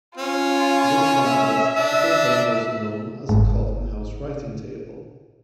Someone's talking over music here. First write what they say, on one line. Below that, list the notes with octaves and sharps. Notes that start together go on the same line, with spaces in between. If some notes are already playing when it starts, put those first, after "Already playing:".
This kind of desk is sometimes also known as a Carlton House writing table.
C#4 F4
E5
D4
G1 G#2